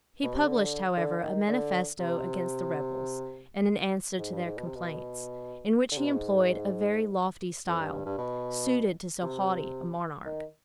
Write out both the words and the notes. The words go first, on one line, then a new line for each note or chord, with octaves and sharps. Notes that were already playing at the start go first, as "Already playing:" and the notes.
He published, however, a manifesto against the rebels, and an answer to their complaints; in which he employed a very lofty style, suited to so haughty a monarch.
B2
C3
D3
D3
D#3
D3
C3
G#2
G2
G#2
B2
C3
B2
D3
C3
B2
G#2
F2
G2
G2
G2
B2
C3
D#3